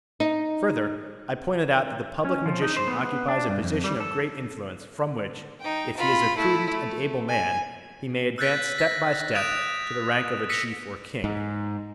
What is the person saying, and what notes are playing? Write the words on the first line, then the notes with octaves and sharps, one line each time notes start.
Further, I pointed out that the public magician occupies a position of great influence, from which, if he is a prudent and able man, he may advance step by step to the rank of a chief or king.
D#4
C#4
F3
D#4
C5
B3
B3
D4
G2
F2
G3
A4
D#4 G5
F4 B5
A3 E4
A3
G#5
E6 F#6 G6 A6 B6
A#6 B6
D#6 F#6 A6 D7 E7 F7
E6 A#6 B6 C#7 D#7
G#2